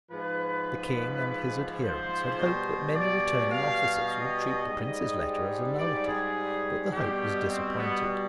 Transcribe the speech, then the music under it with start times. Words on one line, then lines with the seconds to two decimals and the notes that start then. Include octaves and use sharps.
The King and his adherents had hoped that many returning officers would treat the Prince's letter as a nullity; but the hope was disappointed.
0.10 G#2 F3 B4
1.81 C5
2.39 B2 G3
2.94 D5
3.52 F5
4.08 D#5
4.65 G#2 G3
5.79 D5
6.08 G#4
6.93 B2 G3 G4
7.49 C4
7.78 B3